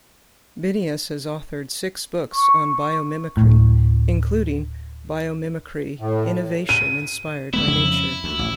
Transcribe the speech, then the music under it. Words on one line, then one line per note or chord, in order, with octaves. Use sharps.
Benyus has authored six books on biomimicry, including "Biomimicry: Innovation Inspired by Nature".
C#6
D1 A2
A2
D#7
B2 G#3 B3 E4
F2 C#3 F3
D2
A1